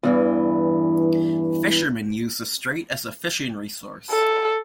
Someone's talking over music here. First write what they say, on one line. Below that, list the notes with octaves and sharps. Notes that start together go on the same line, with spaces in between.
Fishermen use the strait as a fishing resource.
E2 G2 E3
A4